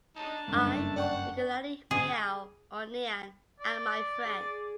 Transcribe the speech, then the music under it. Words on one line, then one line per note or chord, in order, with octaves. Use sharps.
I regularly meow or nyan at my friends.
D4 D#4 A5
F#1 G2 A3
D5 F#5 G5 C#6
G#4
D5
G#4